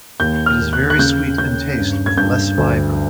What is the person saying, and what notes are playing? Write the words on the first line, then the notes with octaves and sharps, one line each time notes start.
It is very sweet in taste with less fiber.
D#2 G6
F6
D#2
F#6
F#6
C#3 G6
C#4 G6
G2
G#6
G2 G6
D2